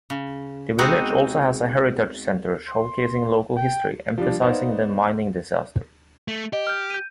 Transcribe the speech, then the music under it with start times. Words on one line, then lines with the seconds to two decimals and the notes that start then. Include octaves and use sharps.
The village also has a heritage centre showcasing local history, emphasizing the mining disaster.
0.10 C#3
0.78 G#3 B3 C4 D#4 F#4 G#4
2.68 C6
3.57 G5
4.18 F3 G3 D4
4.42 B3 D#4 C5 D5 F5 F#5
6.28 A3
6.53 G4 D#5
6.67 F6 G6
6.90 G6 D#7